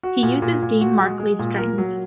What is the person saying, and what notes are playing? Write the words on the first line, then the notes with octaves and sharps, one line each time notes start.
He uses Dean Markley strings.
F#4
A#2
A#2
A#2
F#4
G#3
G#3
A#2
A#4
F#3